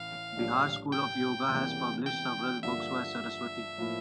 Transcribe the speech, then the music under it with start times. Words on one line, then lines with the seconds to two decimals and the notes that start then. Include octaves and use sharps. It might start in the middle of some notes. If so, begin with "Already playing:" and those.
Bihar School of Yoga has published several books by Saraswati.
Already playing: A1 A2 E3 F5
0.36 A#1 A2 G3 D4
0.92 G5
1.49 E1 E2 C3 E3 A#3
2.06 G5
2.63 G2 D3 F3 A#3 E5
3.78 A2 F3 A#3 E4